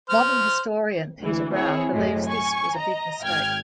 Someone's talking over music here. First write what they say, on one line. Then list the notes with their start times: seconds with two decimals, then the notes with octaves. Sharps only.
Modern historian Peter Brown believes this was a big mistake.
0.10 C5 F6
1.21 D2 E3
1.53 C4 E4 G#4 C#5
1.91 F#2 A2 C3 F#3 G#3
2.26 G#5 C#6
2.76 D#5 A#5
3.23 G#1 G5 F6 G#6